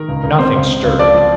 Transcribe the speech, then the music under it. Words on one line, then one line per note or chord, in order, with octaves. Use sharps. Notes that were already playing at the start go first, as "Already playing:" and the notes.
Nothing stirred.
Already playing: D#3 A#4
C#2
C#2
C3 C5
C#2
C3
C#2
F3 D5
F3